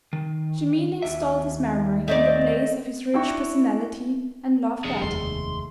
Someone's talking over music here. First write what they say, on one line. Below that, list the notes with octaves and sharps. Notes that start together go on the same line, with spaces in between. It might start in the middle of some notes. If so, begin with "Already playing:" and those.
She merely installed his memory in the place of his rich personality and loved that.
D#3
D#2 E5
A3 C4 D5 D#5
D4 E4 F#4 G5 C#6
F1 D3 G#4 D5
F1 D#2 B2 G#3 A3 C6